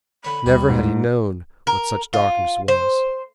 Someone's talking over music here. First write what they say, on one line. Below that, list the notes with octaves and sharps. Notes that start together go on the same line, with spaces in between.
Never had he known what such darkness was.
D3 C#5 B5
D#2 G3 G4
G#2
A#4
F4
C5